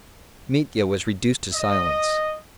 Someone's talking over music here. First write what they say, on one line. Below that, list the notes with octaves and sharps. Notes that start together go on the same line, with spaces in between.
Mitya was reduced to silence.
D#5